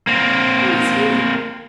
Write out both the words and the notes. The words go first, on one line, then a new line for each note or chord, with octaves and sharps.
'Who is he?
A#3 C4